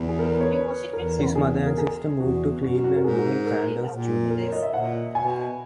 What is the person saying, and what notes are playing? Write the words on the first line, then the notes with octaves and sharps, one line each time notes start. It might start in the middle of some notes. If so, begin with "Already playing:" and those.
His mother and sister moved to Cleveland during Crandall's junior year.
Already playing: E2
G#4
A#4
B4
C#5
B4
E2 A#4
G#4
A#4
G#4
E2 F#4
F#2 F#4
F#4
A#4
G#2 G#4
A#4
A#2
A#4
C#5
D#5
E5
A#2 F#5
B2 G#5